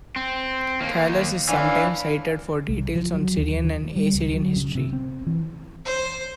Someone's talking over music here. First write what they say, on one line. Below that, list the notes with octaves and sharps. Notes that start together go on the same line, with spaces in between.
Thallus is sometimes cited for details on Syrian and Assyrian history.
C4
D#2 A#3
E3 C#4 D4 F5
C2
F3
F#3
D#2
D#3
G3
C#2
F#3
C#3
C3
C4
E3
C5